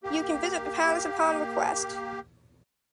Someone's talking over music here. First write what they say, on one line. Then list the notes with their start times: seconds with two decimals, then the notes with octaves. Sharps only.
You can visit the palace upon request.
0.03 A#3 G4